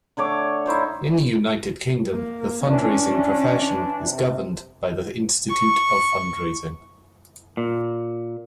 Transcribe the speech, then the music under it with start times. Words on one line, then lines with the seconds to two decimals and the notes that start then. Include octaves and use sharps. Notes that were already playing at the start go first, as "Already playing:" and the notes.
In the United Kingdom the fundraising profession is governed by The Institute of Fundraising.
0.17 D3 A3 C#5 D6
0.66 D#4 E4 C5 C#5
2.11 A#3
2.65 E3 C#4 D4
4.08 C3
5.50 C#6
7.57 A#2